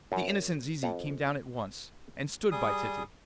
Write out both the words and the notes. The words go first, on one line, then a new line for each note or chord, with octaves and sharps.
The innocent Zizi came down at once, and stood by Titty.
F#2
F2
G3 G#4 D#6